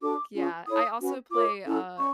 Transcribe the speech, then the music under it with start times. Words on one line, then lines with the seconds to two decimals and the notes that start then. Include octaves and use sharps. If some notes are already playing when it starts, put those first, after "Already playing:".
Yeah, I also play, uh,
0.01 D4 F#4 A4 D6
0.34 C#4 F4 G#4
0.67 E4 A4 C#5 D#6
1.00 C#4 F#4 B4
1.32 F4 A#4 C#5 D6
1.65 C#4 E4 A4
1.98 C#4 C#6